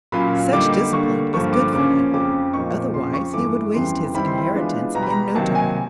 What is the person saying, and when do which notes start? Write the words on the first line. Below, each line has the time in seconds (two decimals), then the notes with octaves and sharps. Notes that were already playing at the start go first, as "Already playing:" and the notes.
Such discipline is good for him, otherwise he would waste his inheritance in no time.
0.12 A#2 F#3 A#3 C#4 F4 B5
0.52 D3 G3 A#3 D#4 D6
0.73 D6
0.93 D3 G3 A#3 C#6
1.33 G2 D3 F3 A#3 C#6
1.53 D6
1.73 C#3 F3 A#3 C#4 D6
2.13 F2 C#3 F3 D6
2.54 A#2 F3 A#3 D#4 C#6
2.94 F2 C#3 F3 C6
3.14 C#6
3.34 G2 E3 A3 D6
3.74 F2 C#3 E3 G3 B3 C6
4.14 D#3 G3 C4 E4 B5
4.27 C6
4.38 B5
4.54 E3 G#3 B3 D4 F4
4.95 B2 G3 B3 A#5
5.03 B5
5.10 A#5
5.35 C3 D#3 F#3 A#3 A5
5.55 G#5